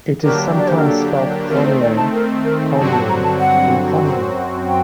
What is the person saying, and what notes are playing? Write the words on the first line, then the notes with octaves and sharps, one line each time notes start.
It is sometimes spelt Conlan, Conlen and Conlin.
D3 F#3 A#3 D4 G4 A#4
D5
C5
A#4
A4
D#3 A3 C4 A#4
C5
D5
A5
A#4
A#4
G2 D3 F#3 C4 F#4 A5
A5
A#5
A5
F#5
F#2 F#3 C4 F#4
G5